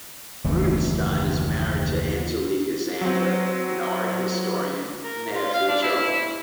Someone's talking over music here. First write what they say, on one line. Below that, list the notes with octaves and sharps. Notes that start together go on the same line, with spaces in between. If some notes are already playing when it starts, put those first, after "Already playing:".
Rudenstine is married to Angelica Zander, an art historian, and they have three children.
F#1 D#2 E3 A3
F#3 C4
A#4
F4
F5
D4
E4
E4